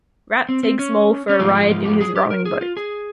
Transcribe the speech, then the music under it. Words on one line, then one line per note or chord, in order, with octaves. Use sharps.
Rat takes Mole for a ride in his rowing boat.
C4
C4
C#4
C#4
G#2 F3 G#3 D#4
G4
F4
G4
G#4
G4
A#4
G#4
F4
G#4